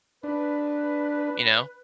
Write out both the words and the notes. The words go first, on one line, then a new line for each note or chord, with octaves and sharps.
you know?
D4 B4